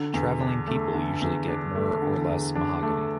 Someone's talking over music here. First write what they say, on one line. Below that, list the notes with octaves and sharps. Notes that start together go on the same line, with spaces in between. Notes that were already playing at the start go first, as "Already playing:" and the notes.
Travelling-people usually get more or less mahogany.
Already playing: D3
E2
D4
A3
D3
E2
D4
A3
D3
E2
D4
A3